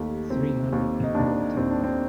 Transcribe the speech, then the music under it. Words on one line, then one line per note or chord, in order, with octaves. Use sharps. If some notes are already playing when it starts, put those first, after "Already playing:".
Three hundred people attended.
Already playing: D#2 A3 G4
D#2 C4
D#2
D#4
D#2 D4
D#2 C4
D4
C4